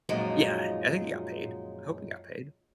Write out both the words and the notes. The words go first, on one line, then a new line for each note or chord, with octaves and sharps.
Yeah! I think he got paid. I hope he got paid.
F#2 A#2 F3 F#3 G#3 D#4